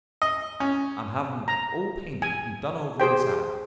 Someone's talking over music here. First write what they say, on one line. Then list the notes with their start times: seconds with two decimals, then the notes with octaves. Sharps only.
I'm having it all painted and done over inside.
0.22 D#5
0.60 C#4
1.48 A#5
2.22 G#5
3.00 G4 G#4 C5 G5